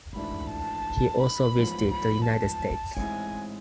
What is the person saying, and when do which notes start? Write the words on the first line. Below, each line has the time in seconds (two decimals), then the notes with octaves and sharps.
He also visited the United States.
0.15 G#1 G#2 E3 A3 D4 B5
0.50 A5
1.21 B5
1.56 A1 G#2 F3 B3
1.91 B5
2.26 A5
2.96 A1 G#2 G#3 C4 E4 G#5